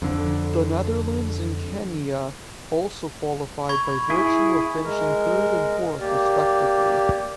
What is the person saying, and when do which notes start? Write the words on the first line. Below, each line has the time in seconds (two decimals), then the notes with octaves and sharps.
The Netherlands and Kenya also qualified by virtue of finishing third and fourth respectively.
0.02 F2 D3
3.69 B5 C#6 G#6
4.10 E4 G#4
4.84 G#3 A#4
6.00 A#3 G4 D5